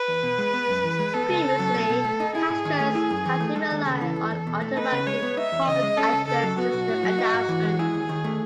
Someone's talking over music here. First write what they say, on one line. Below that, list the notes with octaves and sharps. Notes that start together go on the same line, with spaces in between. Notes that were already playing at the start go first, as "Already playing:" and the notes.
Previously, passengers had to rely on automated public-address system announcements.
Already playing: B4
E2
B2
G#3
B3
F#2
E3
G#3
B3 A4
C#2
C#3
F#3
B2
B2
A3
D#4
E4 G#4
G#2
D#3
A3
E4
F#2
E3
A3
G#3 A4
D#2
C#3
E3
E2
E2
B2
A3
D#4 B4
C#3
G#3 C#5
B3
D#4 E5
E2
C#3 D#5
G#3
C#4 A4
C#2
C#3 A4
F#3
B3 F#4
B1
A2
F#3
D#4
G#2
E3
G#3
E4 G#4
D#2
D#3
A3